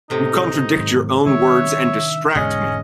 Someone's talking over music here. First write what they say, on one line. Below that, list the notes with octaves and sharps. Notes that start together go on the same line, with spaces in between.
You contradict your own words, and distract me!
A2 C3 D#4
G#2 D#3 F#3
D#3 G3 D4 C#5 E5
E1 G#2 D3 G#3 C#4 D#5